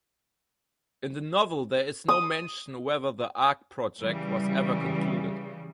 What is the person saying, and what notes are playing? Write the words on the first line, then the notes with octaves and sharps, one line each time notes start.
In the novel there is no mention whether the "Ark Project" was ever concluded.
D#6
C#3 E3 G3